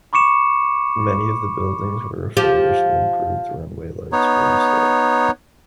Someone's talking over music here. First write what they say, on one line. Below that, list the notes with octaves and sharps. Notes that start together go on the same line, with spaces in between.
Many of the buildings were refurbished and improved runway lights were installed.
B5 C#6 D6 C#7 E7
F3 G4
B3 D#4 C#5